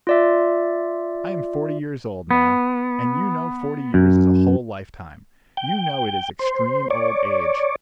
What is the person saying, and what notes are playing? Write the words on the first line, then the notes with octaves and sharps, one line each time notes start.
I am forty years old now, and you know forty years is a whole lifetime; you know it is extreme old age.
F4 D5 E5
B3
F#2
G5
C5
C#5 D5